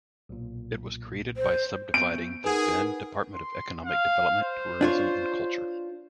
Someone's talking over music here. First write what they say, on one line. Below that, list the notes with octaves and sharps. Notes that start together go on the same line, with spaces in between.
It was created by subdividing the then Department of Economic Development, Tourism and Culture.
B1 A#2
C5
B3 G6 D7
D#4 G#4 A#4 B4 F#5
C6
F5
C5
D4 F4 C#5